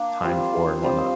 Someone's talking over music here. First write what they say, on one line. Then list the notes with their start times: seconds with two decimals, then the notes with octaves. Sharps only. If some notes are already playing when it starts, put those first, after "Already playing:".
time for and whatnot.
Already playing: A#3 D4
0.24 G3 C4 F4 C5
0.83 G3 C4 F4 C5